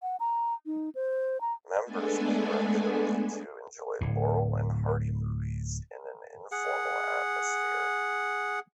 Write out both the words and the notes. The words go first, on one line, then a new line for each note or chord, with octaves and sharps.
Members meet regularly to enjoy Laurel and Hardy movies in an informal atmosphere.
F#5
A#5
D#4
C5
A#5
G#3 A3 B3 D4 A4 G#5
D1 A2
G#4 F#5